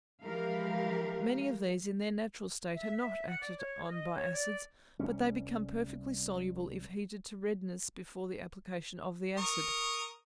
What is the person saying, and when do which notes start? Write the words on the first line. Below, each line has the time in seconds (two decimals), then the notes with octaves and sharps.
Many of these, in their natural state, are not acted on by acids, but they become perfectly soluble if heated to redness before the application of the acid.
0.23 E3 F3 G#3 G4 A#4 F5
2.76 E5
2.94 E5
3.26 F#5
3.40 D5
3.57 C#5
3.88 D#5
4.15 C#5
4.32 D5
5.00 C2 G3 C#4
9.38 A#4 C#6 D#6